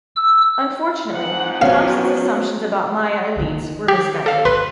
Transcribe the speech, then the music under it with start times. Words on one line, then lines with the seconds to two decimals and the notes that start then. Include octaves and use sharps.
Unfortunately, Thompson's assumptions about Maya elites were misguided.
0.16 E6
1.11 G#2 F3 C4 F#5
1.62 F#3 B3 C#4 F5
3.36 D#3 A#3
3.88 G4
4.26 A4 F5
4.45 G1 B4 C6